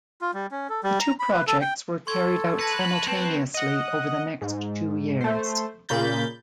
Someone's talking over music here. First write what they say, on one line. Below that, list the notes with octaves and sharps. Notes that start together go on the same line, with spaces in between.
The two projects were carried out simultaneously over the next two years.
F4
G3
C#4
A4
G3
A#5
B5
B4
A4
G5
A4 C6 C#6 G#6
B4 A5 F#6 G#6 A#6 C#7
C4 B4
D#5 F#5
G#2
A3 C5
A#2 C#3 A#3 B5 G6 A6